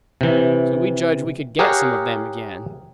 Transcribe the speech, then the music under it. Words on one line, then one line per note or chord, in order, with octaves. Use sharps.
So we judged we could get some of them again.
C3 E3
G4 G#4 A#4 C#5 F5 F#5